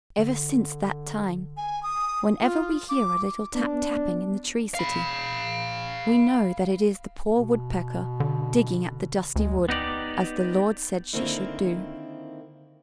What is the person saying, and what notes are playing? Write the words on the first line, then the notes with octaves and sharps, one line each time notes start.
Ever since that time, whenever we hear a little tap-tapping in the tree city, we know that it is the poor Woodpecker digging at the dusty wood, as the Lord said she should do.
D3
G#5
D#6
F4
D6
B3 D4
F5 B5
B2
D3
D2 G#3
B3 D#4 G4 D5
D3 D#3 A#3 C4 E4